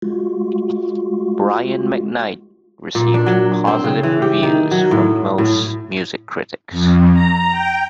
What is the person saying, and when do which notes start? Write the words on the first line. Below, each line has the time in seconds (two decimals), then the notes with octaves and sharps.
"Brian McKnight" received positive reviews from most music critics.
0.02 G#3 F4 F#4
2.95 A#2
3.14 D4
3.26 F#3
3.67 C4
3.84 C#3
4.03 E3
4.22 G4
4.43 D#3
4.71 F#3
4.91 A2
5.38 A2
6.71 F2
7.13 A#5
7.51 G5